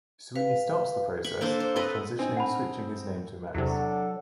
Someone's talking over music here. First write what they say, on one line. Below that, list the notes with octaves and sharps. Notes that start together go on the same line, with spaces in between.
Sweeney starts the process of transitioning switching his name to Max.
B4 F5
B5 C#6
A#3 D4 A4 C5
C5
C4 A4 B4 D#5
C4 D4 D#4 G#5
F#5 A5 B5
E2 C3 F#3 D4 A4 F#5